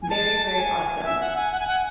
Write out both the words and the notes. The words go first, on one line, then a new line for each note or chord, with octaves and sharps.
Very, very awesome.
G#5
A5
A5
G#5
E5
F#5
G#5
F#5
G#5
F#5